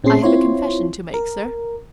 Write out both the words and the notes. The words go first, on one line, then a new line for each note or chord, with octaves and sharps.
I have a confession to make, sir.
A#2 C4 C#4 G#4 C6 C7
C4 E4 F4 C#5 C6
A#4